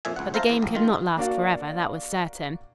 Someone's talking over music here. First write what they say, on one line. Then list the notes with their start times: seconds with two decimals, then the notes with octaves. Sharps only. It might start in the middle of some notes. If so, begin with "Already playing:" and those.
But the game could not last forever, that was certain.
0.05 F2 A#2 E5 G#5
0.16 C#2 F#5
0.34 C5 E5 F5 A5 A#5
0.50 E2
0.62 A#1
0.75 D#3 F4
1.17 A#3 D4 F#4 D5 F5